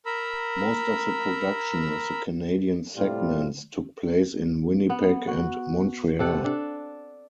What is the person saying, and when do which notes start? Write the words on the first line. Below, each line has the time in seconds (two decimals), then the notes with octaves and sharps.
Most of the production of the Canadian segments took place in Winnipeg and Montreal.
0.06 A#4 A#5 B5 E6
2.95 A2 C3 G3 F4
4.90 B3
5.27 F#4
6.19 C3 A4 F#5
6.44 D4 A4